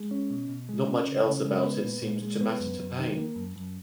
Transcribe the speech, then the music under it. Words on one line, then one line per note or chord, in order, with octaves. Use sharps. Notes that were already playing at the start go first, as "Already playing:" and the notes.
Not much else about it seems to matter to Payne.
Already playing: G#3
C#4
B2
B2
G#3
C#4
C#3
C#3
G#3
B3
A#2
A#2
G#3
B3
F#2
F#2
D#3
A#3
F#2
F#2